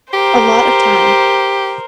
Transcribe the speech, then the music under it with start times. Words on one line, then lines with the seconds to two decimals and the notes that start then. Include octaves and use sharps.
A lot of time.
0.13 G4 A#4 C5